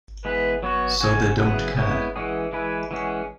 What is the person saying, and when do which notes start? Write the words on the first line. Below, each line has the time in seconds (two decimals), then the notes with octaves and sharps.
So they don't care.
0.25 E3 G#3 B3 B4
0.63 F#3 B3 F#4 B4 C#5
1.01 G#3 C#4 F#4 G#5
1.39 C#3 F#3 B3 E4 G#4 F#5
1.77 G#3 B3 E4 C#5
2.16 E3 G#3 C#4 G#4 F#5
2.53 E3 G#3 E4 B4 G#5
2.91 E3 G#3 C#4 G#4 F#5